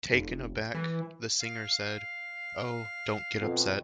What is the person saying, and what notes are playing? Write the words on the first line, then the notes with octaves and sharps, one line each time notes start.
Taken aback, the singer said, Oh, don't get upset.
F1
E3
F5
F2 B2